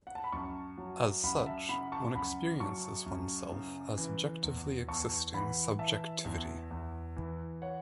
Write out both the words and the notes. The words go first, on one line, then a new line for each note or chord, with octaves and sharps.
As such, one experiences oneself as objectively existing subjectivity.
F#5
A5
B5
F#2 A5 C#6
F#3
F#2 F#5 B5
E5 A5
C#3 F#5 B5
A5 C#6
F#2 F#5 B5
F#3 A5 C#6
F#2
C#3
E3
E2
E2 A5 C#6
E3 F#5 B5
E3 E5 A5
E2
E2
E3
C#5 F#5